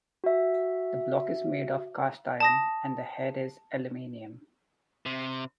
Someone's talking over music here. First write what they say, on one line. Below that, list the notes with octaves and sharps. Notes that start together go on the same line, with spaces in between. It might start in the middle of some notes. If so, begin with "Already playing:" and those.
The block is made of cast iron and the head is aluminium.
F#4 E5
A5 D#6 A#6
C3